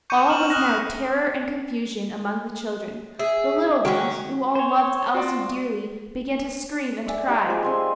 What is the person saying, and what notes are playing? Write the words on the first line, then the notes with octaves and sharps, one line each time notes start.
All was now terror and confusion among the children; the little ones, who all loved Elsie dearly, began to scream and cry.
C#6 D6 G6 C#7 D#7
C#6 F6 E7 F#7
D#6 F6 F#6 A#6
G#4 E5
D#3 F#3 C#4 F#4
C5 C#5
F4 F#4 D5
D5 E5 G#5
D#4 G4 D5
F3 G#4
C4 G#5 C6